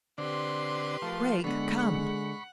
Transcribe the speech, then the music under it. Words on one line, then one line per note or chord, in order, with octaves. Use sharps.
"Gregg, come."
D3 C4 D4 G4 B4 C6
F3 A3 A#4 A5
D3 G#3 B3 F#5 B5 C#6